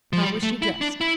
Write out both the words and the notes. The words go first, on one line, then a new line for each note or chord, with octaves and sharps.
"How was she dressed?"
F3
G3
A3
E4
D4
E4